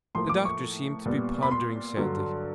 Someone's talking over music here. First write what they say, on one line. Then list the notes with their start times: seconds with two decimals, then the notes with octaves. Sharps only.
The doctor seemed to be pondering sadly.
0.15 A2 F3 A#3 C6
0.29 D6
0.45 C#6
1.05 A#2 G3 B3
1.42 B5
1.51 C6
1.97 G2 D3 F#3